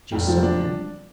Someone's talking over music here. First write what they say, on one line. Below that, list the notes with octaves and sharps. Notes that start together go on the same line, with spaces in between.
"Jist so, daddy."
F1 G5
F3
D4